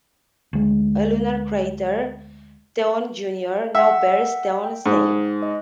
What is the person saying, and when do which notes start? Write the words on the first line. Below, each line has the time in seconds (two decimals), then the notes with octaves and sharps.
A lunar crater, Theon Junior, now bears Theon's name.
0.53 D2 G#3
3.75 E5 F#5 G5 E6
4.64 G5
4.86 G#2
5.42 D#5